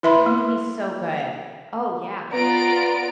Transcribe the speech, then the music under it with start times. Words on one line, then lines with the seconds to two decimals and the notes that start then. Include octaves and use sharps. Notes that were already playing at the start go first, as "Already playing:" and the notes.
That movie's so good, oh yeah.
0.03 E4 B4 E5 B5 C6
0.26 A#3
2.33 B3 F4 D5 A#5 D7